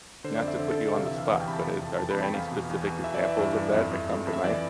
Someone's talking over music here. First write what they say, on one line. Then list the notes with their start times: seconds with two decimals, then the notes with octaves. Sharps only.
not to put you on the spot, but it are there any specific examples of that that come to mind?
0.24 D3 C5
0.36 D5
0.42 F2
0.48 E5
0.59 D3 C5
0.71 A4
0.77 F2
0.82 A4
0.94 C3 F5
1.06 E5
1.11 E3
1.18 F5
1.29 E2
1.41 G5
1.46 C3 B5
1.52 A5
1.64 C3 A5
1.82 F2
1.99 E3 A5
2.11 B5
2.17 F2
2.23 G5
2.34 E2 F5
2.52 B2
2.58 F5
2.70 E2
2.87 E2
3.04 E3 E5
3.14 D5
3.21 E3 E5
3.39 G2
3.56 G2
3.74 F2
3.91 F2
4.09 F2
4.27 F2
4.33 E5
4.44 E3 D5